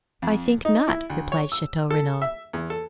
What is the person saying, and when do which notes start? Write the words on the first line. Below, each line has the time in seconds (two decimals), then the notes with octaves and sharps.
"I think not," replied Chateau-Renaud.
0.22 F2
0.65 D#4
0.88 E4
1.10 D2
1.32 C#5
1.52 E6
1.91 A4
2.22 E5
2.53 E2
2.70 A4